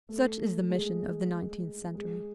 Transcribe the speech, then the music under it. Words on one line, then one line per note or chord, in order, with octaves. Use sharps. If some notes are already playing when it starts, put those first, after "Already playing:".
Such is the mission of the nineteenth century.
A3
G#3
G#3